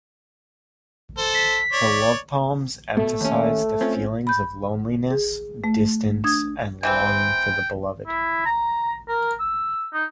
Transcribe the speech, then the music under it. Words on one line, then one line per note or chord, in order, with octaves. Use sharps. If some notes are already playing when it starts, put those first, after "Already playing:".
Her love poems emphasize the feelings of loneliness, distance, and longing for the beloved.
A4 C5
B6
C#5 D5
B2 A3
D#2 C#4
C4 C#4 F4
B5 G6
G#4
A3
D4 D#6 G#6
C#3 E3 C4 G5
E4
A#5
A#4
E6
D#4